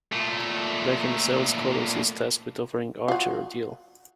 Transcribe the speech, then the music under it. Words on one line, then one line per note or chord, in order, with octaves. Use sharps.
Back in the cells, Kolos is tasked with offering Archer a deal.
A#2 A3
F4 F#4